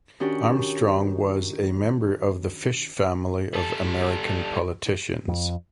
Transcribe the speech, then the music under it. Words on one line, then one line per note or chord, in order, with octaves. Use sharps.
Armstrong was a member of the Fish Family of American politicians.
D#3 C#4 D4 F#4 G4
G3 A4
F2